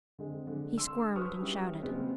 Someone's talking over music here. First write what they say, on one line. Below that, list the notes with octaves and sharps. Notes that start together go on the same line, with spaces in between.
He squirmed and shouted.
D3 G#3 C4
D3
C6 E6
F#4 G#4 B4 C#6 D#6 F6
G3 C#4 E4
A#2 C#3 F#3 G#3 B3 C4